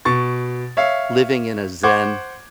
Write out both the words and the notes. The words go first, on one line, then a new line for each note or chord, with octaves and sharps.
living in a Zen
B2 C#6 A6
C#5 E5 F5
C5 F#5 C#6 D6 G#6